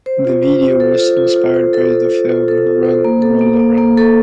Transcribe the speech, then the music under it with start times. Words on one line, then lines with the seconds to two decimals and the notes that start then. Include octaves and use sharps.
The video was inspired by the film, "Run Lola Run".
0.06 C5
0.25 F4
0.43 C5
0.62 C5
0.80 A4
0.99 F4
1.17 F4
1.36 F4
1.54 C5
1.73 A4
1.93 A4
2.11 A4
2.30 F4
2.48 A4
2.67 F4
2.85 C5
3.05 A#3
3.22 A4
3.41 A#3
3.60 A#3
3.78 A#3
3.97 A4